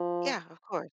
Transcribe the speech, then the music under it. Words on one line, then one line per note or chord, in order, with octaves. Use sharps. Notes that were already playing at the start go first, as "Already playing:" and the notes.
Yeah, of course.
Already playing: F3